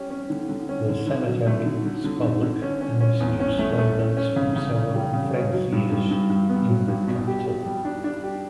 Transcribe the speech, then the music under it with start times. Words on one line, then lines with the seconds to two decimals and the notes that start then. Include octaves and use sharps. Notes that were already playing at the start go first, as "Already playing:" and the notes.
The cemetery is public and receives residents from several "freguesias" in the capital.
Already playing: C#4 G4
0.10 C#4
0.30 D3
0.49 D3
0.69 C#4
0.88 D3
1.07 D3
1.26 F#3
1.46 A3
1.66 D3
1.85 D3
2.04 D3
2.23 D3
2.43 D3
2.62 C#4
2.81 C#4
3.01 C#4
3.20 E2
3.40 C#4
3.59 A3
3.78 A3
3.97 C#4
4.17 C#4
4.36 C#3
4.56 C#3
4.75 C#3
4.95 G3
5.13 C#3
5.34 C#4
5.53 F#3
5.72 G2
5.92 G2
6.11 G2
6.30 G2
6.49 B3
6.69 F#3
6.88 G2
7.07 B2
7.27 G4
7.46 G4
7.65 G3
7.85 D4
8.04 D4
8.23 G4